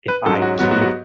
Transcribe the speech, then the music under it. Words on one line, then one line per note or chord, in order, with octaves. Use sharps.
if I keep
B4
G#2 F#3 C#4 A4
F#4
G#2 F#3 B3 F#4
F#4
F#4